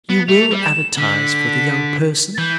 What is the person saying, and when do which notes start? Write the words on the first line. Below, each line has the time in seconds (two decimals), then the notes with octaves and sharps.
"You will advertise for the 'young person'?"
0.10 B3
0.27 A3 F7
0.51 G3
0.63 E7
0.98 D3 B6
2.35 A6
2.38 E3 G6